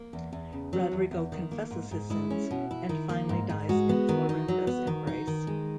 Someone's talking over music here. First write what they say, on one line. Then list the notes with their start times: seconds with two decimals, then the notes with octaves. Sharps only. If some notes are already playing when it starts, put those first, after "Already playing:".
Rodrigo confesses his sins, and finally dies in Florinda's embrace.
Already playing: A#3
0.13 E2
0.33 E2
0.53 C#3
0.73 F#3
0.92 E2
1.11 E2
1.32 D#3
1.51 A#3
1.71 G#2
1.91 G#2
2.10 G#3 E4
2.30 C#4
2.51 B2
2.71 E4
2.89 D#3
3.09 A#3
3.29 G#2
3.49 G#2
3.69 G#3 F#4
3.89 B3
4.09 D#3
4.29 D#4
4.48 F#3
4.67 B3
4.87 D#3
5.07 D#4
5.27 D#3
5.47 G#3